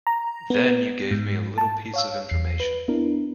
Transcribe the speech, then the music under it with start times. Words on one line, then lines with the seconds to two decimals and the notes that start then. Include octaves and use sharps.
Then you gave me a little piece of information.
0.07 A#5
0.50 B3
1.11 G#2
1.58 A5
1.94 C#5 F5 E6
2.29 E2 C7
2.60 B4
2.88 B3 D4 E4 A#4